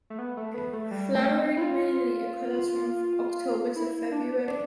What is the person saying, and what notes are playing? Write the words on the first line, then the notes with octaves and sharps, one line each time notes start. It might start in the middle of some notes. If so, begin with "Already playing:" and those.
Flowering mainly occurs from October to February.
A3
B3
A3
B3
A3
G3
A3
C4
E4
F4
E4
D4
D4